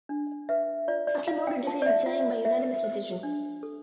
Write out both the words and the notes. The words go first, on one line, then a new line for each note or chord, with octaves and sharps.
Akimoto defeated Zhang by unanimous decision.
D4
B4 E5
F4 D5
D5
F4 F5
G5
F4 A5
D5
E5
F4 F5
F4 E5
C5
D4
A4